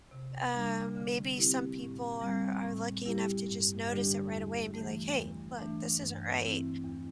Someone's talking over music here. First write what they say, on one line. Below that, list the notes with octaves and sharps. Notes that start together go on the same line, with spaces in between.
Uh, maybe some people are are lucky enough to just notice it right away and be like, "Hey, look, this isn't right."
C3
G3 D4
D3
C4 E4 G4
A2
G3 C4
A2
G3 E4 G4
G2
D3 G3 D4 G4
E2
E3 A3
E2
E3 A3 D4
G2
E3 C4 E4
E2